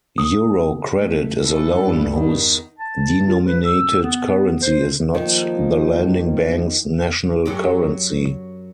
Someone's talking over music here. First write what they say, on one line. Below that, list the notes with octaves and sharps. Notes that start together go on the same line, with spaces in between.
Eurocredit is a loan whose denominated currency is not the lending bank's national currency.
D#6
A3
E3 A4
G2
E2 D#3
A5
F4
B4
E6
B3
C5
D#3 F3 A#3
F#2 F#3 G4